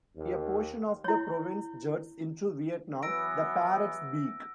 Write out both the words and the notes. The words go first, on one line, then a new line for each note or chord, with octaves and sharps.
A portion of the province juts into Vietnam, the "Parrot's Beak".
D#2
E4 C#5
E3 F#3 B3 E6 A#6 D7